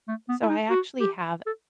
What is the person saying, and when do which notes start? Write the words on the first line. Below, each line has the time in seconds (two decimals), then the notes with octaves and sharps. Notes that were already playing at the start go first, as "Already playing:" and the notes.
So I actually have
0.08 A3
0.29 B3
0.42 E4
0.49 D#4
0.70 F#4
1.00 G4
1.47 A4